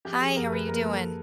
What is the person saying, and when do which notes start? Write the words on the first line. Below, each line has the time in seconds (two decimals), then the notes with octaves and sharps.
Hi, how are you doing?
0.05 F3 G4
0.20 F3 G#4
0.36 F#2 A#4
0.52 F3 B4
0.68 A#3 A#4
0.84 A#3
0.89 A4